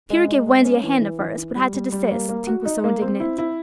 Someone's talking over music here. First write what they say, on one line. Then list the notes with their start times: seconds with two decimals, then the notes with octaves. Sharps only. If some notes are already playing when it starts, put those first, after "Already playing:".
Peter gave Wendy a hand at first, but had to desist, Tink was so indignant.
0.10 G#3
0.28 G#3
0.46 G#3
0.65 C#4
0.83 E3
1.01 E3
1.20 E3
1.38 E3
1.56 G3
1.74 G3
1.92 G3
2.11 A#3
2.29 A#3
2.47 F#4
2.65 D#4
2.84 A#3
3.02 C4
3.20 E4
3.38 E4